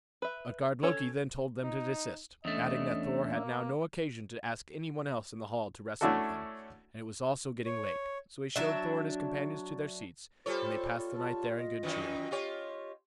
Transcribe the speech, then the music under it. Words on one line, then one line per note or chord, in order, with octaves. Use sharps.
Utgard-Loki then told them to desist, adding that Thor had now no occasion to ask any one else in the hall to wrestle with him, and it was also getting late; so he showed Thor and his companions to their seats, and they passed the night there in good cheer.
B4 E5
C#4 A4 C#5
D#4
E2 A3 C#4 D4 D#5 E5
A#3
A3 C#4 D4 E4 F#4 A4
C#5
F#3 D4 E5
G3 F4 A4 C5 C#5
A5
D#5
F#2 D#3 E3
F4 G4 C#5